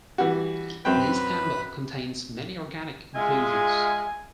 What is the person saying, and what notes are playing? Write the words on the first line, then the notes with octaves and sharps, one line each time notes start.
This amber contains many organic inclusions.
E3 G3 F#4
F#2 C4 B4 G5
G#3 F4 E5 G#5